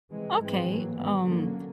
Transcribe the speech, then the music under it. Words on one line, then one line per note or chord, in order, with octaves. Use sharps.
Okay. Um,
C3 E3 G#3
G#2 E3 G#3 C4
A2 F#3 A#3
G#2 D#3 G3 B3
D3 F#3 A#3 C#4